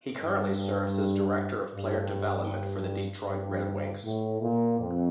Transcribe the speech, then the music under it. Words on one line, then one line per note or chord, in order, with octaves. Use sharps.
He currently serves as Director of Player Development for the Detroit Red Wings.
G2
G2
G2
A2
A#2
F2